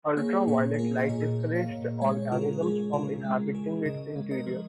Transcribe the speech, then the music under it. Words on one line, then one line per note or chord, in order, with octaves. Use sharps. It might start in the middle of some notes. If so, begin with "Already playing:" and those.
Ultraviolet light discouraged organisms from inhabiting its interior.
A#3 G#4 C#5
A#2 G#4 C#5
G#4
A#3 F4 A#4
D#5
A#2 G#4 C#5
A#3
C#5 F5
A#2
G#3 G#4 C#5
C#5
C#3 F4 A#4
F4
G#3 G#4
C#3 F4 A#4
G#3
C#3 G#4
C#3 A#4 D#5
G#3
A#4 D#5
F3